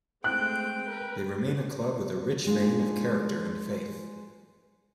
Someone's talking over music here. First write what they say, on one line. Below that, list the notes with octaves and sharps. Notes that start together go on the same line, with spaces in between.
They remain a club with a rich vein of character and faith.
G#3 A3 C4 G5 F#6
A#4 B4
G#3 A#3 D4 D#4 F4 G#4